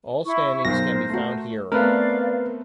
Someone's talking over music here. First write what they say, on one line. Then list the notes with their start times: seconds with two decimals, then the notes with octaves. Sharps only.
All standings can be found here.
0.25 E4 C#6
0.65 B1 A#4 C5 A#6
1.09 A3 F#4
1.72 A3 B3 C4 A#4 B4 D5 F5